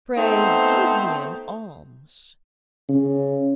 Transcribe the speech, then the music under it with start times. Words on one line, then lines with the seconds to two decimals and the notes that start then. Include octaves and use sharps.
Pray give me an alms.'
0.17 A3 B3 C4 D#4 C5
2.89 C#3